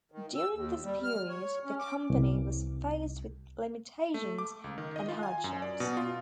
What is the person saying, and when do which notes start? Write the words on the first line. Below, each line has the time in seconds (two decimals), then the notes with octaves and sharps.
During this period the company was faced with limitations and hardships.
0.12 D#3
0.36 E6
0.53 D#2
0.84 G3
1.03 F6
1.29 C#5
1.65 C#4
1.80 D6
2.10 C2
4.14 A3
4.38 D6
4.64 C#2
4.78 D#3
4.96 D#5
5.09 F4
5.23 G#5
5.44 F#2
5.62 D5
5.80 B2
5.97 F4